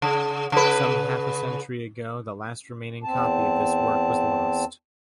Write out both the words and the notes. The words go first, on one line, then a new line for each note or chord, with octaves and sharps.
Some half a century ago the last remaining copy of this work was lost.
C#3
C#3 B4
E2 C4 A5